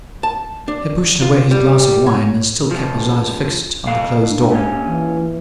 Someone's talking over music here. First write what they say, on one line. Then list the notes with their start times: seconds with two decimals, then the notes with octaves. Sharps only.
He pushed away his glass of wine, and still kept his eyes fixed on the closed door.
0.23 A5
0.68 D4
1.22 F4
1.51 G3
2.06 C#5
2.71 C#2 F3
3.87 F2 F5
4.30 D4
4.51 A#2 C#4
4.87 E3